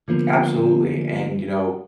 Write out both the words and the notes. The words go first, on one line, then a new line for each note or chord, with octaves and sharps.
Absolutely, and, you know,
D3 F3 A#3 B3